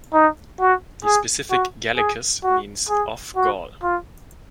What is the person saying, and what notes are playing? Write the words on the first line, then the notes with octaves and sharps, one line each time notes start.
The specific "gallicus" means "of Gaul".
D#4
F#4
G#4
F#4
G#4
F#4
G#4
F#4
F4